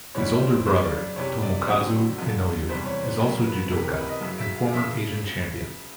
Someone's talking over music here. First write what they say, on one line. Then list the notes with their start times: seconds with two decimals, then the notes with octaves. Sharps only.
His older brother, Tomokazu Inoue is also judoka and former Asian champion.
0.15 G#2 E3 G3 C#5
0.40 C5
0.66 F#2 C#3 F3 C5
0.83 D5
1.16 F2 C3 E3 C#5
1.42 D5
1.67 F2 D3 F#3 C5
2.18 F#2 D3 F3
2.69 E2 C3 E3 G3 C5
2.86 C#5
3.04 C5
3.20 E2 C#3 F#3 A#4
3.35 A#4
3.46 B4
3.71 F2 C3 E3 A#4
3.84 A#4
3.97 B4
4.09 D#5
4.21 F#2 C#3 F#3 E5
4.39 E5
4.56 F5
4.73 C#3 F3 E5